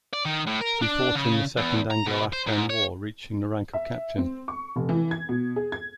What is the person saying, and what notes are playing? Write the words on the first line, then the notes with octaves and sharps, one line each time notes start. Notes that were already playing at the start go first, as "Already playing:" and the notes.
He fought in the Second Anglo-Afghan War, reaching the rank of captain.
D5
D#3
A2
A#4
D4
C#3
E2
A#5
B2
C5
G#2
C#5
E5
C4
C#6
F1
E3
G#6
B2
G#4
G#6